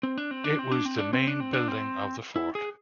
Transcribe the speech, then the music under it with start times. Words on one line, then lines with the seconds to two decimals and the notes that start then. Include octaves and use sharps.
It was the main building of the fort.
0.03 C4
0.18 D4
0.31 C4
0.44 D4
0.59 C4
0.72 D4
0.85 C4
0.99 D4
1.13 C4
1.27 D4
1.40 C4
1.53 D4
1.68 C4
2.36 E4
2.55 G#4